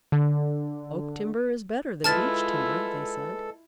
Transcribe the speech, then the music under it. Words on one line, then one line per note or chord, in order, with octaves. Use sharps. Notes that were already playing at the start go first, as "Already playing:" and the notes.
"Oak timber is better than Beech timber," they said.
D3
G#3 E4 F4 A4 B4 A5 F6 A6